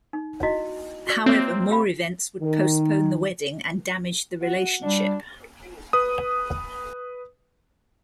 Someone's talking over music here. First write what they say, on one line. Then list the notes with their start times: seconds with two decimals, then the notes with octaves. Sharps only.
However, more events would postpone the wedding and damage the relationship.
0.13 D#4
0.43 E4 F#4 D#5
1.07 F#4 D5
1.26 A#3 C4 C#5 E5
1.70 G4 F5 B5
2.41 D#3
4.42 F#4
4.83 G3 D4
5.93 B4 D#6